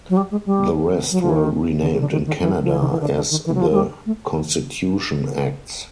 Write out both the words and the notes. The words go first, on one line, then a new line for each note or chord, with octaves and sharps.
The rest were renamed in Canada as the "Constitution Acts".
F#3
G3
G#3
G3
F#3
F3
E3
D#3
D3
C#3
D3
D#3
D#3
E3
F3
E3
D#3
E3
D3
D3
D#3
E3
F#3
F3
G#3
G3
A3